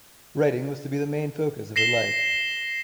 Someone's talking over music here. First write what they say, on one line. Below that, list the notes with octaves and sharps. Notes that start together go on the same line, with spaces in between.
Writing was to be the main focus of her life.
A#6 C7 E7 G7